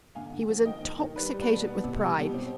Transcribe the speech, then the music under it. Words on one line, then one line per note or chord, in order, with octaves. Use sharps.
He was intoxicated with pride.
D3 F5 G#5
D3
F3
D#3 D#5 G5
D#3
D#3
G3 B4 D5
G3
B4 D5
B2
B3
C3
G3
B2 G4
C4